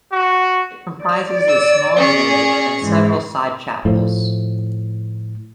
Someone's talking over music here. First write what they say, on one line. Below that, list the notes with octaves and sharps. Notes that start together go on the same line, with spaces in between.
It comprises a small nave and several side chapels.
F#4
D5
E6
C#4 G#4
G#2 E3 C5
A2 F3